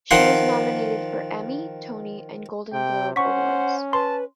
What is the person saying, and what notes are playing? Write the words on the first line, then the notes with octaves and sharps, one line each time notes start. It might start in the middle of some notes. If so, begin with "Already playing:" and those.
She was nominated for Emmy, Tony and Golden Globe Awards.
D#3 F3 F#5 C6
C3 G5
C#4 C5 F#5 C#6 B6
B4 A5 C6